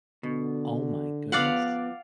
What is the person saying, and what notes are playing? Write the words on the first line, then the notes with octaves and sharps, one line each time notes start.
Oh my goodness.
B2 D3
F3 B3 D5 F5 F#5